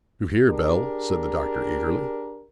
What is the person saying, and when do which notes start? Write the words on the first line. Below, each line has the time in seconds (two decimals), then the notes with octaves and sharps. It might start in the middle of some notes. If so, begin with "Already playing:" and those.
"You hear, Bell," said the Doctor, eagerly.
0.50 D4 G4 G#4 A#4